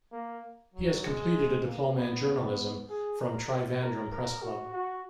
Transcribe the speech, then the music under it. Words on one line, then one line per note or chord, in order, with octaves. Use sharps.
He has completed a diploma in journalism from Trivandrum Press Club.
A#3
F#3
G#3
A#3
B3
G#4
A#4
A#4
A#4
F#4
F#4